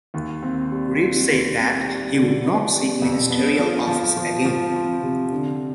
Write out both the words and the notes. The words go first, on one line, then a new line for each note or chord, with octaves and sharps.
Reed said that he would not seek Ministerial Office again.
D#2
C4
G3
C4
D#2
C4
G3
D3
B3
G3
F2
B3
F3
F3
F3
F3
C4
C3
D3